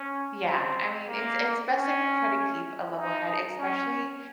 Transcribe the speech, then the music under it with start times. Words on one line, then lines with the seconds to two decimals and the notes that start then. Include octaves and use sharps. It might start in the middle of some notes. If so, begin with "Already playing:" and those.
Yeah, I mean, it's it's bes a chr try to keep a level head, especially
Already playing: C#4
0.44 C4
1.08 A#3
1.70 C#4
2.96 D#4
3.58 C#4